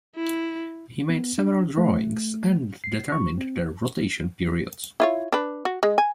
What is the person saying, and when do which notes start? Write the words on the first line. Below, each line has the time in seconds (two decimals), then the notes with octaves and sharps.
He made several drawings and determined their rotation periods.
0.16 E4
1.10 B3
1.38 D4
1.78 A3
2.84 C7
3.12 C#6
3.38 C4
5.00 E4 F4 C#5
5.32 D4 B4
5.65 F#4
5.83 G#3
5.98 G#5